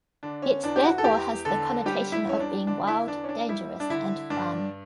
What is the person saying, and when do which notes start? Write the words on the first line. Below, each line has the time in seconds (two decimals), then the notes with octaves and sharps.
It therefore has the connotation of being wild, dangerous, and fun.
0.23 D3 D4
0.42 C#4
0.63 E2 D4
0.76 G4
0.84 F#4
0.98 A4
1.04 E2 G4
1.45 D3 A4
1.86 G3 G4
2.12 E4
2.27 E2 C#4
2.40 D4
2.67 D3 D4
2.87 E4
3.08 E2 D4
3.24 C#4
3.29 D4
3.49 G3 E4
3.80 D4
3.89 D3 E4
4.30 G2 D4